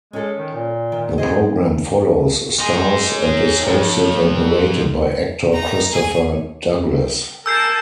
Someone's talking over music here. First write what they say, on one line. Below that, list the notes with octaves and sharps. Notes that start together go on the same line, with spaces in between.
The program follows, stars, and is hosted and narrated by actor Christopher Douglas.
G#3 C#4 A4
D#3
A#2
D#3
C4 G#4 C5 D#5
D#4 G#4 G#5 C6
A#4 C#5
F2
D#4 A#5
G#4 G#5
A#4 G#5 A5 E6 G6 C7